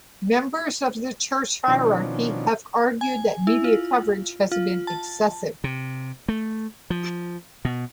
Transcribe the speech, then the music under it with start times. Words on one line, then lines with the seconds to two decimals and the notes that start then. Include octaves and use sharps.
Members of the church hierarchy have argued that media coverage has been excessive.
1.68 B2 D#3 F3 C#4 D4
3.01 G#5
3.47 E4
3.64 F4
4.52 F4
4.87 A5
5.64 C3
6.28 A3
6.90 F3
7.65 B2